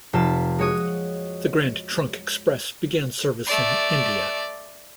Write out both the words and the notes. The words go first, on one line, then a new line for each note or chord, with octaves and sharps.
The Grand Trunk Express began service in India.
F1 F4 A5 B6
G#3 F#4 C#5 D#6
A3 D5